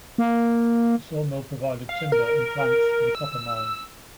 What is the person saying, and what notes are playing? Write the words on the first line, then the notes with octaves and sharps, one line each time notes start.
The sawmill provided timber and planks for the copper mine.
A#3
F5
A#4
E6